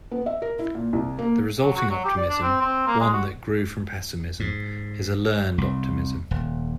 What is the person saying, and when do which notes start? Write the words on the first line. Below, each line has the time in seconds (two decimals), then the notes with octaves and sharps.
The resulting optimism-one that grew from pessimism-is a learned optimism.
0.11 B3
0.26 E5
0.42 A#4
0.59 E4
0.75 A#2
0.93 C2
1.19 A#3
1.62 F#3
1.76 F#4
1.90 F#3
2.05 G4
2.17 D5
2.29 D4
2.42 C4
2.61 C4
2.87 A#3
3.00 G#3
3.13 F#4
4.40 G#2
5.58 C2
6.31 D#1